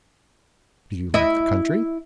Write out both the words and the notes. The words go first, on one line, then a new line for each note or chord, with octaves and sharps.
"Do you like the country?"
E4 D#5 E5